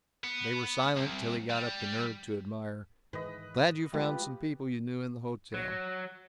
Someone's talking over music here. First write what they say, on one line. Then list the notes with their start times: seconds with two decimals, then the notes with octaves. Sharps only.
They were silent till he got up the nerve to admire, "Glad you found some people you knew in the hotel."
0.24 B3
0.97 C2
1.50 G3
3.13 G#2 D#3 E3 B4 D#5
3.94 F3 G#3 A3 F4 G4 B4
5.54 F#3